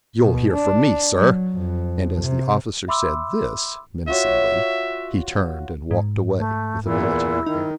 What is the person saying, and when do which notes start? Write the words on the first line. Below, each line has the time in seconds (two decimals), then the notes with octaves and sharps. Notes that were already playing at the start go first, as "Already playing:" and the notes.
"You'll hear from me, sir." And as the officer said this, menacingly, he turned and walked away with a military air.
0.21 B2
0.53 D4
1.12 F#3
1.55 F2
2.21 C3
2.88 E5 B5 C6 D6 E6
4.08 F4 F#4 C#5 E5
5.91 G#2
6.38 A3
6.85 E2 A#2 E4
7.46 D#3 D#4